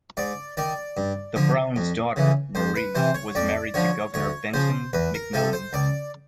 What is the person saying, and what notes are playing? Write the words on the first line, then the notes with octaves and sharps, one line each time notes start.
The Browns' daughter, Marie, was married to Governor Benton McMillin.
G#2 D5
D#3 D5
G2
D3 F3
F2
C#3 E3
F2 C5
B4
C3 E3 C5
C#5
F2 D5
D3 F3 C#5
D2 C#5
C#3 F3 C5
E2 B4
A#4
C3 F3 A4
C5
C#2 D5